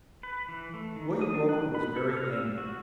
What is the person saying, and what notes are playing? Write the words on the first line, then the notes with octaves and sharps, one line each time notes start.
William Roper was very angry.
B4
E3
A3
D#3
D#6
D4
F#6
B5
A4
F6
E6
F#4